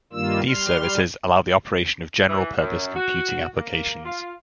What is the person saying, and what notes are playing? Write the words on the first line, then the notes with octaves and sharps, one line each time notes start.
These services allow the operation of general purpose computing applications.
G2 D#3 G3 A#3 F4 E6
G3 C6 F6
E3
F#2
F#4
A#3
F4